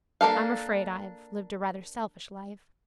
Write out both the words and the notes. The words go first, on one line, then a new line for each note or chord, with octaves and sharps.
I'm afraid I've lived a rather selfish life.
A#3 D4 A4 F5